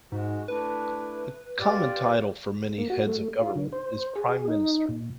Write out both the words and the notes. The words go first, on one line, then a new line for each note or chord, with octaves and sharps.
A common title for many heads of government is prime minister.
G#2 G#3 F#4
A3 D4 E4 B4
F4 G4 D5
A#3
F#4
A3
F4
D3
C5
G#4
D#4
A#2